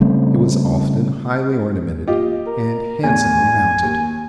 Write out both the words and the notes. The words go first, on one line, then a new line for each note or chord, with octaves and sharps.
It was often highly ornamented, and handsomely mounted.
C#3 G3 A3 C4
F4 G4 D#5
A#4
E2 A2 G#5
D#2